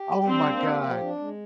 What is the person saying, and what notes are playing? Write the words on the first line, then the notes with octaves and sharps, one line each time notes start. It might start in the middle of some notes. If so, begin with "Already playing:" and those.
Oh my god.
Already playing: G4
G3
C4 D4
A#3
G4
F3
D4
G#3